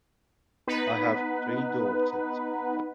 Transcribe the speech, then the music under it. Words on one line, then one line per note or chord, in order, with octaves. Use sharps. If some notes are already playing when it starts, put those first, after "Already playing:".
I have three daughters.
B3 D#4 B4